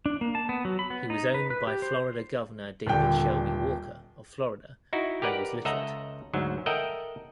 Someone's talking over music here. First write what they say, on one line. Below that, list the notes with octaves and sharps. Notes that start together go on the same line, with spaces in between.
He was owned by Florida Governor David Shelby Walker of Florida and was literate.
D4
A#3
A5
B3
F#3
B5
B3
D#4
B4
B4
G4
C5
D#1 D3 G3 G5
D#4 E4 F#4
G4 A#4 B4 D5 F#5
C#2 A4 D#5 E5 F#5 A#5
D2 G#2 F#3
A4 A#4 D#5 E5 F#5 G5